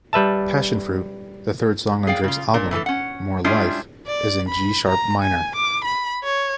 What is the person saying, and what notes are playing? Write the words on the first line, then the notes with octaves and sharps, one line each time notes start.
"Passionfruit", the third song on Drake's album "More Life", is in G-sharp minor.
G3 B4 E5 A5
G#4 D5 F5 G5
C#3 F4
A#2 D4 A#4
A2 E3 C#4 A4
C#4 F#5
G3 G#3 C#4 D4 E4 F4
D5
B5
A#5
G#5
D6
B5
C#5